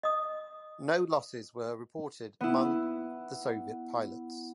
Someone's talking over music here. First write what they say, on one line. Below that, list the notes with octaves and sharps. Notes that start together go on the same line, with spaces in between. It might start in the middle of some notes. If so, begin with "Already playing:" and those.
No losses were reported among the Soviet pilots.
D#5 D#6
B3 E4